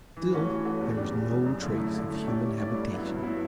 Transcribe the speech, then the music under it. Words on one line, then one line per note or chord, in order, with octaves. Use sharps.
Still there was no trace of human habitation.
E3
A3 C#4 F#4
E3
A3 C#4 F#4
E2
C#3 G3 D4
E2
C#3 G3 D4
F#2
D3 A3 E4
F#2
D3 A3 E4
A3
C#4 E4 G4 D5
A3
C#4 E4 G4 D5
G2
F#3 B3 E4
G2
F#3 B3 E4